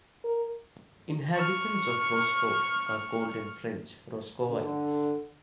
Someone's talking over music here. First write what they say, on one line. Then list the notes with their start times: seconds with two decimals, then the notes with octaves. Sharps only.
Inhabitants of Roscoff are called in French "Roscovites".
0.25 A#4
1.35 C#6 F6
4.49 D3